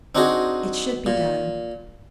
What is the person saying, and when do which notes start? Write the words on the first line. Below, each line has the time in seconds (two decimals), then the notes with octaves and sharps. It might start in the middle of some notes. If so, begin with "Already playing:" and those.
It should be done!
0.15 C4 D4 D#4 F#4 G#4
1.06 A#2